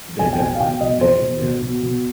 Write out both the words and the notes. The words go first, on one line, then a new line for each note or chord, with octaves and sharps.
They definitely they Yeah.
B2 G#5
G5
B2 G#5
F5
B2 G5
B2 D#5
B2 C5
B2
B2
B2
B2